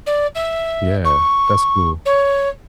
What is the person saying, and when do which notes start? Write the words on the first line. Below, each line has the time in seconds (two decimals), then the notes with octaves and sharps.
Yeah. That's cool.
0.06 D5
0.35 E5
1.05 C#6
2.05 C#5